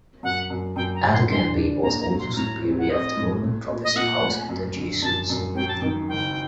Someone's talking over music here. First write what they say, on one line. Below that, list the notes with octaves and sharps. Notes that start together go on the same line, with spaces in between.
Alegambe was also superior of the Roman professed house of the Jesuits.
F#2 F#5
F#2
F#2 G5
A#5
F#1
C6
D4 C6
D4
A#3 A#5
A#5
F#3
C6
A2 A#5
C4
F#5
C4 D#5
A2
A3
A#2
D#5
A#2 F#5
A3
F#2
D3
F#2 A5
F#2
F#3 G5
A5
D#3 G5
F#1 G5